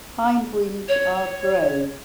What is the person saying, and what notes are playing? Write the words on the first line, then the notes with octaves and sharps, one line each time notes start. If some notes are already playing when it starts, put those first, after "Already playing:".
Hindwings are grey.
C#5